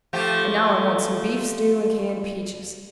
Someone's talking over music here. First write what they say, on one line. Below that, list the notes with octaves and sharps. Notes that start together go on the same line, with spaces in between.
And now I want some beef stew and canned peaches.
F3 A3 G4